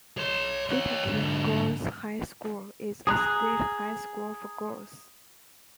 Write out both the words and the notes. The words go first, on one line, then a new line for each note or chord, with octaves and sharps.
Waitaki Girls' High School is a state high school for girls.
C#5 C6
G4 C#5
G#2 D3
G#4 A#5 F#6